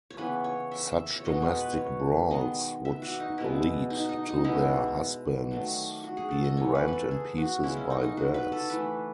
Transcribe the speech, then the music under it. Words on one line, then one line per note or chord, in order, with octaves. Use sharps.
Such domestic brawls would lead to their husbands being rent in pieces by bears.
C#5
C#3 E3 B3 B4
C#5
E5
E5
C#5
B2 G#3 B3 D#5
C#5
B4
C#5
D#3 G#3 B3 D#5
E5
F#4
D#4
B2 G#3 B3 E4
D#4
D#4
D#4
B2 G#3 B3 E4
D#3 F#3 A3
F#4
G#4
A4
D#5
E3 B3 C#5
B4
B4
A4
G#4
F#4
C#3 G#3 B3 E4
C#4
D#4
D#4
F#4
B4
A4
E3 A3 B4